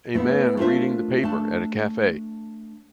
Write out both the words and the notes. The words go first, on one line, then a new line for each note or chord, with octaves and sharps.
A man reading the paper at a cafe.
A3 B3 D#4 E4 B4
A3 D4 F4 A#4 C5 E5
A3 D4 A5